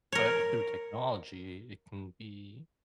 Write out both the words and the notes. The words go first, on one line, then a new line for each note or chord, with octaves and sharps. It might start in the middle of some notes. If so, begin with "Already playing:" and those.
but through technology, it can be
A#4 C#5